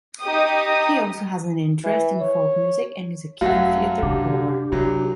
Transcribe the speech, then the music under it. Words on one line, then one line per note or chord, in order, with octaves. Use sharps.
He also has an interest in folk music and is a keen theatre goer.
D#4 G4 D#6
E3
C#5
G#1 F#2 F#3 A3 F5 F#5
C3 D4 G4
C2 C3 F#3